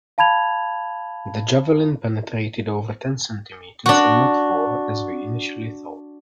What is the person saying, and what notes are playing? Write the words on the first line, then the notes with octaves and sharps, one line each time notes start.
The javelin penetrated over ten centimetres and not four as we initially thought.
F5 A5 B5 G#6 F7
D4 F#4